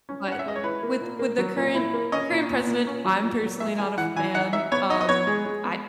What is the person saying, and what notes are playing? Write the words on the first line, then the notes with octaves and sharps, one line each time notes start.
but with with the current current president, I'm personally not a fan, um, I'd
C#4
C#4 F#5
E5
G#3 D#5
C#5
E4 B4
A#3
A#2
A#3
F#3
A#2
E4
A#3
C#4 D#5
A#2
A#2
A#2
C#4
F#3
A#2
F#3
G#3 E5
G#3 G#5
E3 F#5
E3 G#5
D#4 F#5
D#4 E5
B3 C#5
D#4 D#5
D#5
B3 C#5
G#3
G#3
B3